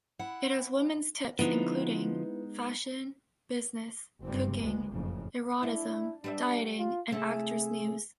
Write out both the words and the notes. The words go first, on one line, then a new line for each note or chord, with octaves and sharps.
It has women's tips including: fashion, business, cooking, erotism, dieting and actors' news.
E4 F#5
D3 F3 G#3 B3 D#4 E4 B4
F#1 G2 G3 C4
D2 G#3 B3
F#1 F2 A2 C#3
D4 E4
G3 D4 B4 E5
F4
C3 A3 E4 G#4